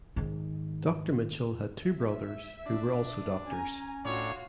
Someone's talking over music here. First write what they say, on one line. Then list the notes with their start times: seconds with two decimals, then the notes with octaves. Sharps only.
Dr Mitchell had two brothers who were also doctors.
0.16 G#2 D#3
1.83 E5
2.66 D4
3.47 C#4 G#5 A#5
4.05 A2 D4 F4 F#4 C#5 F5